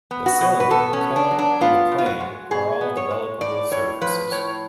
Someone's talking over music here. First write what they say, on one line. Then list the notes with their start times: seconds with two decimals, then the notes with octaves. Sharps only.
The cylinder, cone and the plane are all developable surfaces.
0.11 B3
0.26 F#4
0.41 B2
0.60 B4
0.70 B3 A4
0.93 C#4
1.01 B3
1.16 D4
1.31 F#3
1.39 D4
1.61 B3 F4
1.92 B2
1.98 F4
2.06 F#4
2.20 G#3
2.51 B2 G#4
2.81 B3
2.97 C#5
3.11 G#3
3.41 A2 D5
3.71 A2 C#5
4.01 F3 B4
4.31 A2 C#5